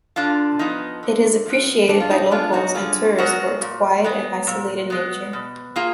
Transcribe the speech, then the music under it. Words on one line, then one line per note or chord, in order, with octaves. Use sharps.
It is appreciated by locals and tourists for its quiet and isolated nature.
D3 D4 F4
F3 B3 D#4
D3
F3 B3
D3 D4
F4
D#4
G#3 B3 D4 F4
D#4 F#4
D3 F4 G#4
G#3 B3 F#4 A#4
A#2
G#3 B3
A#2
G#3 B3
B2
A#3 F4 G#4